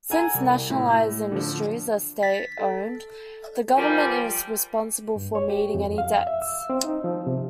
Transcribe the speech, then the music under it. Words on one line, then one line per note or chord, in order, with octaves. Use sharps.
Since nationalized industries are state owned, the government is responsible for meeting any debts.
A4 F#5 G#5 A#5
C2
A2
D3 F3
A6 B6
A4
F3 G3 F4 A#4 G#5
G2
C#5
G4
F2
F5
E5
E6
C4
D#4
F3
C3